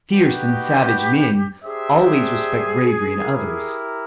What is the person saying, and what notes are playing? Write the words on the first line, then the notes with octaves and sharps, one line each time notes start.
Fierce and savage men always respect bravery in others.
D#4 F#4 G4 B4
D4 G4 G#4 C5 E5
G#4
E4 G4 A#4